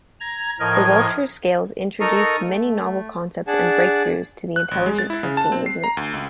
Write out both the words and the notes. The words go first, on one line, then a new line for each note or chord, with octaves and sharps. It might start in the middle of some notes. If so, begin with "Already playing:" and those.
The Wechsler scales introduced many novel concepts and breakthroughs to the intelligence testing movement.
A#5 G#6
A2 F3 A#4 D#5 G#6
D#4 A4 A#4 A#5 C#6 D#6
A3
D4 G#4 F#5 A5
F#6
A1
G#3
A6
E4
C#3
A5
C4
C7
A#5
D2
C#2